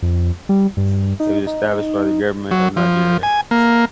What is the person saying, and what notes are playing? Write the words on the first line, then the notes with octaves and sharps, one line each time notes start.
It was established by the Government of Nigeria.
F2
G3
G2
D#4
D#4
F#3
F3
G#5
A#3